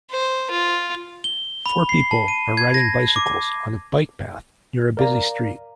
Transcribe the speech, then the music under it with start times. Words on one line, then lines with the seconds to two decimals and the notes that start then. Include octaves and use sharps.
Four people are riding bicycles on a bike path near a busy street.
0.11 C5
0.51 F4
1.24 G7
1.66 B5
1.89 C7
2.11 A5
2.28 D#7
2.57 G#6
2.74 A#6
3.16 D6
4.97 A#4 D5 F5 A#5